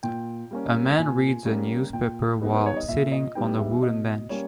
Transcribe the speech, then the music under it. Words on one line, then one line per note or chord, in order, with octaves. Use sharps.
A man reads a newspaper while sitting on a wooden bench.
A#2 G5
G3 A#3 C#4
A#2 G#5
G3 A#3 C#4
A#2 G5
G3 B3 D#4
B4
C#5
D#5
A#2 E5
D#5
G3 B3 D#4 G5
E5
B2 D#5
G3 A#3 C#4 C#5